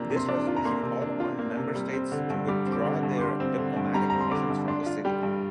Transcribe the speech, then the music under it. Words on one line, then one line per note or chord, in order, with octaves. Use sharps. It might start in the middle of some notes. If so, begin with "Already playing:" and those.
This resolution called upon member states to withdraw their diplomatic missions from the city.
Already playing: C3 A#3 D4 F4 A#5
C3
C6
D4 D6
F4
A#5
A#3 C6
C3
D4
F4
A#3
C3
G3
C4
D3
G2
G3 D6
C4
D6
D3
G2
D6
G3 C6
C4
D3
G2
G3 A#5
C4 A#5
C6
D3 D6
G2
D4 C6
F4
G3 G5
G2